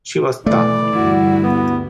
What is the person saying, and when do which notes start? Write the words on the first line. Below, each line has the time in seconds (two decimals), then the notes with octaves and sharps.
She was tough.
0.46 B2 E3 A3 D5
0.93 D2 G2 G3 E4 F#4
1.43 B3